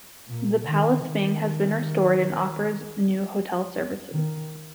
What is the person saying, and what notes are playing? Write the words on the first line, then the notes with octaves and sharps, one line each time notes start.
The palace wing has been restored and offers new hotel services.
A#2
D#3
D#3
D#3